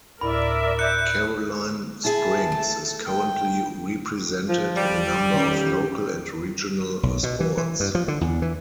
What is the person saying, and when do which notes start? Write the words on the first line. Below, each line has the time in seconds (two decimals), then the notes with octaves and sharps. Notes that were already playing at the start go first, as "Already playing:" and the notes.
Caroline Springs is currently represented in a number of local and regional sports.
0.21 D2 A2 E4 A#4 D5 E5 B5
0.79 F#6 G6 C#7
2.05 E4 G#4 A5
2.52 A3
3.06 G5
4.49 F3
4.76 G3
5.33 D#3 C#4 G4
7.03 B1
7.23 B2
7.40 E3
7.57 E3
7.80 G2
7.95 F3
8.08 D3
8.21 E2
8.42 E3